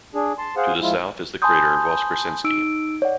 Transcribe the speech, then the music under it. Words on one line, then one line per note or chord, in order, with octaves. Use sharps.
To the south is the crater Voskresenskiy.
D4 G#4
A5 C6
G#4 C5 F5 F#5
F3 G#3 E4 F4
G#5 A5 B5 C6 D#6 G6
D#4 E6 D7
C#5 D5 F#5